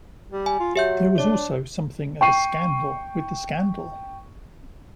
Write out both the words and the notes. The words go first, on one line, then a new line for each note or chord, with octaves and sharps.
There was also something of a scandal with the scandal.
G3
G#5
F4
F#3 G4 E5 G6
D4 C#5
G5 C#6 C7 D#7